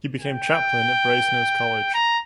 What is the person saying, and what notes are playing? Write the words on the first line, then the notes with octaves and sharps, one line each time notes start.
He became chaplain at Brasenose College.
G5
A#5